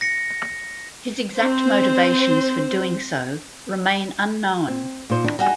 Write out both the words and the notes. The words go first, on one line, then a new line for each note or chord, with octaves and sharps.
His exact motivations for doing so remain unknown.
A#6 C#7
C4 C5
C4
A#2 D#4 C5
D#3 D4 E4
G3 D#4 F#4 G#4